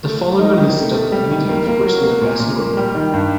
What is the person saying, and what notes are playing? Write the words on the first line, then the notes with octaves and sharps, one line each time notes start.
The following are listed under the medium for which they are best known.
A3
A3
D#4
D#3
A3
A3
G3
D#3
A#3
A#3
F#3
A#3
A#2
A#2
A#3
G3
D#3
G2